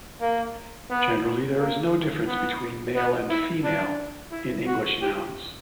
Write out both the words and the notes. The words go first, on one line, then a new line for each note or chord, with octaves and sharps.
Generally there is no difference between male and female in English nouns.
A#3
B3
A#3
B3
B3
E4
D4
E4
F#4
G4